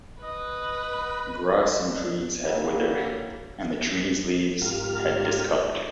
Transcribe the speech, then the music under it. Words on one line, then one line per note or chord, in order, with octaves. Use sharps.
Grass and trees had withered and the trees' leaves had discoloured.
B4 D#5
D4
D3 E3 F#3 G3 A#3
G#2 F4 G4 A#4 F6